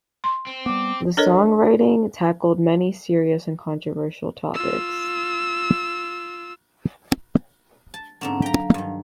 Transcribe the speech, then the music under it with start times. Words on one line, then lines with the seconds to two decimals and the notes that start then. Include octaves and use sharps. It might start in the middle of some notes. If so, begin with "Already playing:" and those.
The songwriting tackled many serious and controversial topics.
0.24 C6
0.47 C4
0.66 G3 B3 D6
1.17 D4 A4 A#4 C#5 D#5
4.54 F4 E6
7.94 A5
8.21 G#2 D3 A#3 C4 C#4 F#5
8.42 F#3 F5 G5 A#5
8.74 G2 D#3